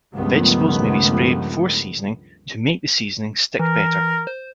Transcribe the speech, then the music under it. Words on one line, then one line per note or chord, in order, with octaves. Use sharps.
Vegetables may be sprayed before seasoning to make the seasonings stick better.
C#2 G2 D#3 F3 A3 B3
E3 A#4
C5